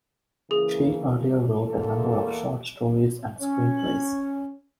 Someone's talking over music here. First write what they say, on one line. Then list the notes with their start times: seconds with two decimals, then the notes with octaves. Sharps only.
She earlier wrote a number of short stories and screenplays.
0.51 C#3 E3 A#3 G#4
1.68 E2 A#3 A4
3.40 C#4